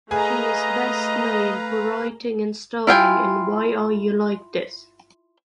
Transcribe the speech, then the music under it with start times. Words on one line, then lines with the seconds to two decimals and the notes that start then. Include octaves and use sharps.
She is best known for writing and starring in "Why Are You Like This".
0.11 A3 G#4 B4 D#5 F5 G#5 A#5
2.87 E4 F4 G5 G#5